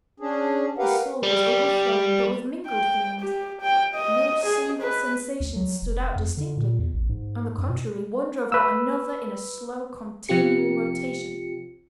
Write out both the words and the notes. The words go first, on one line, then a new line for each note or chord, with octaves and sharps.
His soul was overflowing but with mingled feelings; no single sensation stood out distinctly; on the contrary, one drove out another in a slow, continual rotation.
C#4 D4 G#4
G4 A#4 B4 F5 F#5
G3
G5
G4
G5
D#5
G#4
B4
D2
F#3
F1
F2
D3
A#2
E2
A1
G#2
F#2
B2
B4 E6
C3 F3 C4 F4 G4 C#7